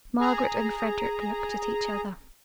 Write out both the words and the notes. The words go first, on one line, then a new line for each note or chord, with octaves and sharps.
Margaret and Frederick looked at each other.
G#4 A#5